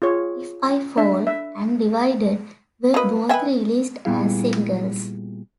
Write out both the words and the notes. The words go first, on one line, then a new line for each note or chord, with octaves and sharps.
"If I Fall" and "Divided" were both released as singles.
F4 G#4 C#5
D4 E5
E5
F#3 A#3 B4 D#5
B4 D#5 E5 G5 G#5
A#2 G3 B3 E4 G#4 F5